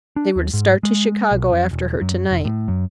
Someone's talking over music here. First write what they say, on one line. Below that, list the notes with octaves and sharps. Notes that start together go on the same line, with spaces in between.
They were to start to Chicago after her to-night.
D4
D#2
G#2
G#3
B1
F2
E1
F#2
F1
A2
F#2